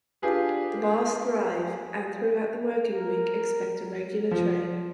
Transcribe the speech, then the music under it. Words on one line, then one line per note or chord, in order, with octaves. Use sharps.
The bars thrive and throughout the working week expect a regular trade.
D4 F4 G4 G#4 B4
A#4
F3